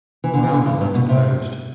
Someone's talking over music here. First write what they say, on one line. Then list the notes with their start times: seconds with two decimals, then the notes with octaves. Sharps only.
My uncle interposed.
0.24 E3
0.34 D3
0.43 E3
0.53 D3
0.66 G2
0.81 G2
0.94 B2
1.09 C3